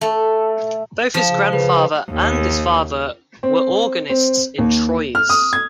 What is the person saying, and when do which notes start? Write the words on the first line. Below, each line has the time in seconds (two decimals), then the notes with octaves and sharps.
Both his grandfather and his father were organists in Troyes.
0.01 A3 A4
1.14 F3
1.29 C#3
1.53 C#3 B4
2.09 D#2
3.43 C4
4.10 C4
4.58 D#2
5.15 F6
5.29 D#6
5.53 G#6